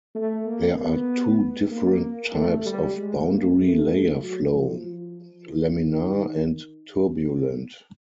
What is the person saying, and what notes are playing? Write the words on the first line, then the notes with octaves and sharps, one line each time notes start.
There are two different types of boundary layer flow: laminar and turbulent.
A3
A#3
B3
A#3
A3
G3
G#3
A#3
A3
F#3
F3
F3
E3
D#3